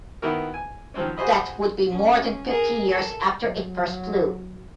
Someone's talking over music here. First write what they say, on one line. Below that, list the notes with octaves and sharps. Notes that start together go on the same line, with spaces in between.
That would be more than fifty years after it first flew.
D#3 B3 E4 F#4 A#4
G#5
D#3 F3 F#3 C4 C#4
F#4 G#4 C5 D#5 B5
C#4
G#4 A#4
A4
F#3